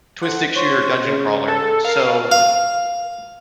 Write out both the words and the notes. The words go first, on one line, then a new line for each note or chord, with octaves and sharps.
twin-stick shooter dungeon crawler, so
A4 C5 F#5
F4 C5 C#5
C#3
A4
A#4 F5
F5